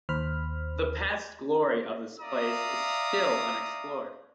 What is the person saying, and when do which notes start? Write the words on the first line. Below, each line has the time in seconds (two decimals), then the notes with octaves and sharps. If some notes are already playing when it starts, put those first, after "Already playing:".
The past glory of this place is still unexplored.
0.09 D#2 C5 B5 F6
2.21 D5 E5 F5 A#5 D#6